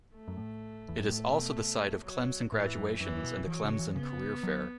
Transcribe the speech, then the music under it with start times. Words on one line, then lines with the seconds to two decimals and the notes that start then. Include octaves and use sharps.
It is also the site of Clemson graduations and the Clemson Career Fair.
0.14 A3
0.28 F#2
0.37 A2
0.88 E2
0.99 F#2
1.09 A2 A3
1.33 B2
2.05 F#3
2.52 A2 E3
2.76 F#2
3.00 F#2 E3
3.23 B2
3.47 E3 F#3
3.63 C#3
3.79 E3
3.95 C#3 B3
4.43 F#3